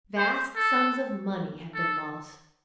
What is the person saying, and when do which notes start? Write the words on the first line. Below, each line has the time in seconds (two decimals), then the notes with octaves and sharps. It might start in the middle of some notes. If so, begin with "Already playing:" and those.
Vast sums of money have been lost.
0.17 C5
0.56 A4
1.74 A4